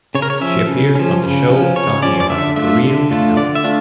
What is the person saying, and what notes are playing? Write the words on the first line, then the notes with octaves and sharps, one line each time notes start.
She appeared on the show, talking about her career and health.
C#3 C#5
A#4
C#5
F3 C#4 E5
C#3
F3 C#4
C#3
F3 C#4
C#3 C#5
F3 C#4 D5
D5
D3 E5
A3 D4 F4 E5
D3
A3 D4 F4
D3 D5
E5
A3 D4 F4